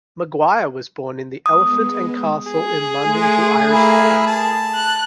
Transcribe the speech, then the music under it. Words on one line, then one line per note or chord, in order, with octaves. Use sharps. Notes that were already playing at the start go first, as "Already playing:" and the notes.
Maguire was born in the Elephant and Castle in London to Irish parents.
G#3 B3 D#6
G#4
G#3 A3
A#3 E4
A5
F#6